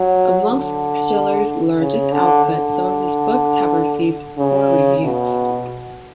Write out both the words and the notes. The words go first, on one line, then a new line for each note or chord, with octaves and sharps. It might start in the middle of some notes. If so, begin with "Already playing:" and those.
Amongst Schiller's large output, some of his books have received poor reviews.
Already playing: F#3
D3
C#3
D3
D3
C#3
B2